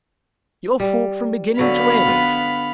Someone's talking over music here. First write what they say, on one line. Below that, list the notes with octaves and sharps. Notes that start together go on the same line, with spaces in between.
'Your fault from beginning to end.'
G3
D3 F#3 B3 F5 B5
F4 B4